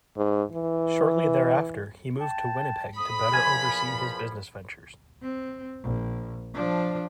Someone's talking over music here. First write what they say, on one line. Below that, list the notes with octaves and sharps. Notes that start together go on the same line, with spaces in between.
Shortly thereafter, he moved to Winnipeg to better oversee his business ventures.
G#2
E3
G5 A5
F2 B5 D#6
E2 A#2 F3 G#5
C4
A#1
F3 D4